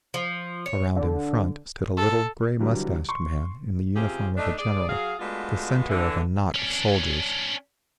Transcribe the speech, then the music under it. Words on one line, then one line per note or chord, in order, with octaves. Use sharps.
Around in front stood a little, grey-moustached man in the uniform of a general, the centre of a knot of soldiers.
F3
C#5
D3
A4
D3 E3 F#3 G3
C6 C#6
C3 C#4 F4 G4 G#4 C5
A3 D4 D#4
G#4 D5
F#3 G#4 F5
G#3 A3 B3 D4 F4 F#4
D3 E3
C#4 D4